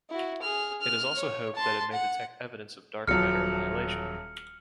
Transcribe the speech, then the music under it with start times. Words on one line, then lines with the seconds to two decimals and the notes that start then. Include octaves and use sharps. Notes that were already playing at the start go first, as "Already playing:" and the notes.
It is also hoped that it may detect evidence of dark matter annihilation.
0.10 E4 F#4
0.42 G#4 F6
0.81 F6
1.15 C#5
1.55 A5 C6
1.92 F#5
3.08 D#1 F3 F#3 F6 C#7